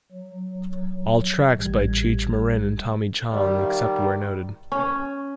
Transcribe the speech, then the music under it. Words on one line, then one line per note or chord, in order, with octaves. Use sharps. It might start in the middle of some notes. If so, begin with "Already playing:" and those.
All tracks by Cheech Marin and Tommy Chong, except where noted.
F#3
A1 G3 G#6
D#3 G3 E5 F5
C#4